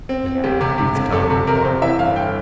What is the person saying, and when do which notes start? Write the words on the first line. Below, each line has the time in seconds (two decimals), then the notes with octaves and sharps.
"Yeah," breathed Tom in reply.
0.09 C4
0.26 C4
0.44 E1 G4
0.61 C3
0.78 C3
0.95 E1
1.12 C3 A4
1.30 C3 A4
1.47 C3 A#4
1.64 C3 C5
1.82 E3 E5
1.99 G1 F5
2.16 G1 G5